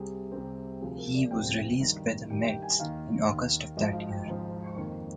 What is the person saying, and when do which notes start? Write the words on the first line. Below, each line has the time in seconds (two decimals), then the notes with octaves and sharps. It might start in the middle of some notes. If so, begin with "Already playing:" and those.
He was released by the Mets in August of that year.
Already playing: C2 C3 G3 C4 G#4
0.32 C2 C3 G3 C4
0.81 D2 C3 F3 G#4
0.97 A#4
1.14 D5
1.30 D2 C3 F3 G5
1.80 G2 D#3 G3
2.30 G2 D#3 G3 G5
2.46 G5
2.62 G#5
2.78 D#2 D#3 A#3 F5
3.28 D#2 D#3 A#3
3.77 G#1 G#2 F3 D#5
3.93 F5
4.10 G5
4.26 G#1 G#2 F3 D#5
4.76 F2 D#3 A#3